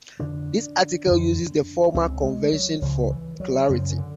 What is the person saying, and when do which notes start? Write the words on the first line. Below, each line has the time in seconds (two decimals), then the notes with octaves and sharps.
This article uses the former convention for clarity.
0.19 F2 D3 D4
1.07 F2 D3
1.94 C#2 C#3 C4
2.23 G#3
2.53 F#3
2.82 C#2 C#3 F3
3.10 E3
3.40 F#3
3.69 F#2 C#3 F3
3.90 D#3
3.98 D3